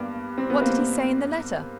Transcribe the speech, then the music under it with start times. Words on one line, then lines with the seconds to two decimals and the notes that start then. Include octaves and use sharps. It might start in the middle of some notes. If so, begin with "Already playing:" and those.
"What did he say in the letter?"
Already playing: G2 A#3 B3
0.38 C4
0.50 B3
0.61 A#3 C4